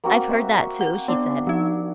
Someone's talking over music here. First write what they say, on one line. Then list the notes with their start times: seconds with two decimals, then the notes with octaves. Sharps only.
"I've heard that, too," she said.
0.04 A#3 C4 F#4
0.29 C4 E5
0.81 F#5
1.08 B3 D4
1.47 F3 D#4